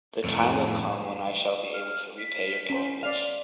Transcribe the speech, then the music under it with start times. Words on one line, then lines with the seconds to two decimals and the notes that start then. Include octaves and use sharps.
The time will come when I shall be able to repay your kindness.
0.24 F2 A2
1.74 F6
2.18 B6
2.70 C#4 C5
3.03 D5 F5 F7